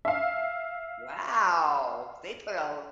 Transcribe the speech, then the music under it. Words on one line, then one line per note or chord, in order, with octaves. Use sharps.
Wow! They put al
E5 F5